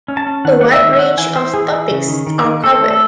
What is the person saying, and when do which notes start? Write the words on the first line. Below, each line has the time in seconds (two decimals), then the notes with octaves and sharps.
A wide range of topics are covered.
0.08 C#4
0.17 A5
0.26 C#4
0.45 D#3 F#5
0.61 G#3 F#5
0.72 E5
0.82 D#3
0.93 E5
0.99 C4 F#5
1.17 E3 G#5
1.36 E3 C5
1.54 E3 G#4
1.72 E3
1.90 C#3
2.08 D#3
2.27 D#3
2.44 D#3
2.64 C4 A4
2.81 A3
2.90 A4